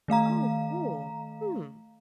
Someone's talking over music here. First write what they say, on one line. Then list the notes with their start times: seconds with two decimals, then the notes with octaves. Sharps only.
Oh, cool. Hmm.
0.08 D#3 A3 F5 A#5